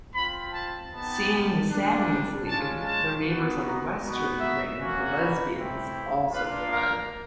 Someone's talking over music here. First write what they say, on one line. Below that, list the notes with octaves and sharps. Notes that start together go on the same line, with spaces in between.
Seeing the Samians leave, their neighbours on the western wing, the Lesbians, also fled.
C4 F4 B5
A5
B3 D#4 G4 A5
G3 A#3 D4
G#3 C#4 F4 A5
A5
B3 D#4 F#4
A#5
B3 D#4 F#4
E5
A#3 C#4 F#4
B4
A3 C4 E4 G4
A#3 D4 F4 B4
A#4